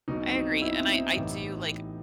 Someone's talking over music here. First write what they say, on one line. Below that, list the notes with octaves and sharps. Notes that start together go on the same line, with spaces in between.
I agree, and I I do, like
B1 B2 D#4
C4
D#4
E4
C4
D#4
A1 A2 E3